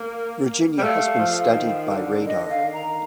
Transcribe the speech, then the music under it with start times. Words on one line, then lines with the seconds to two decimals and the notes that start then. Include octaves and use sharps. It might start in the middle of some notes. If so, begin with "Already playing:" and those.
Virginia has been studied by radar.
Already playing: A#3
0.78 G3
0.83 A3 F5
1.19 F3
1.54 D#3
1.90 D3
2.21 D#3
2.26 D3 D#5
2.50 D3 F5
2.62 D#3
2.73 A#5